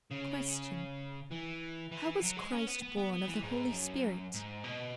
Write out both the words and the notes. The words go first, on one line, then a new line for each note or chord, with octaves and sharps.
Question.--How was Christ born of the Holy Spirit?
C#3
E3
E3
F#3
G#3
C#4
B3
B3
B3
B3
E3
G#2
F#2
G#2
B2